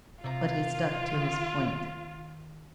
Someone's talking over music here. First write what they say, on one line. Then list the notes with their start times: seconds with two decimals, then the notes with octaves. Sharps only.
But he stuck to his point.
0.24 C3 F4 C#5 A#5
1.14 D#3